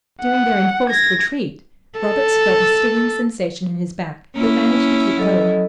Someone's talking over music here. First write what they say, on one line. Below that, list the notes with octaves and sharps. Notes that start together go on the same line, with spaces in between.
During their enforced retreat, Roberts felt a stinging sensation in his back, but managed to keep going.
F#5
G#6 A#6
A4
A#3 C#4 E4
F#3 A4 D#5